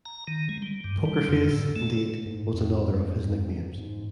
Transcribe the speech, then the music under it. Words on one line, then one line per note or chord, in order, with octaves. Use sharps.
"Poker Face", indeed, was another of his nicknames.
A#5
D#3
G#3
G3
G2
G3
F2
A2
A3
A4
G#2
F2
G#2